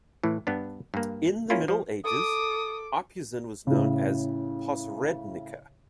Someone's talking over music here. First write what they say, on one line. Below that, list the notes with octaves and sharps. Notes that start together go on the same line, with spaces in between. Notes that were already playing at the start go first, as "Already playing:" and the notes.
In the Middle Ages, Opuzen was known as Posrednica.
A2 E3
G2 B3 D4
G2 A#3
A#3 C#4 E4 F4
F3
A4 D6 D#6
A2 C#3